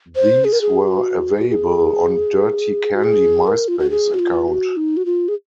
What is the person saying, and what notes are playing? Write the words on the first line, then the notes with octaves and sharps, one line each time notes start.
These were available on Dirty Candy Myspace account.
C5
G#4
A#4
G#4
F#4
G#4
F#4
G#4
F#4
G#4
A#4
F4
F#4
G#4
F#4
F4
F#4
D#4
F#4
F4
G#4